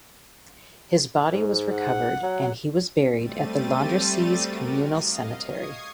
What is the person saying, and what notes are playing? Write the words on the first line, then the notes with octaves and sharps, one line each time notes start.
His body was recovered and he was buried at the Landrecies Communal Cemetery.
G#2
F#5
F#3
G3 A3 C4 A6 D#7
F#4 G4 A#4
D#5 F5
C#6 D#6 G#6 C7